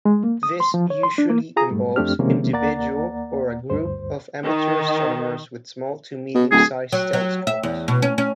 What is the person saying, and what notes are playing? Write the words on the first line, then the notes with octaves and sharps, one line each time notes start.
This usually involves individual or a groups of amateur astronomers with small-to-medium-sized telescopes.
G#3
A#3
D#6
C6
F3
C#5
C6
D4
A#3
F4 G#4 A#5 D#6
G#2 G3 A3
F2 A3 C4 D4 G4 F6
C3 D#3 F3 G#3 A#3 C#4
D#2 A#3 D5 F#5 A#5 A6
D2 G2 C5
D#3
B2
D1 G#4
F#3
F#3
E5
E2
B2
C#4
C#4